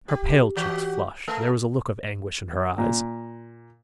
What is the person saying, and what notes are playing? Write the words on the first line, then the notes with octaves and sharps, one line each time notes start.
Her pale cheeks flushed, there was a look of anguish in her eyes.
G4
E3 F#4 G4
A3 A4 A#4
A#2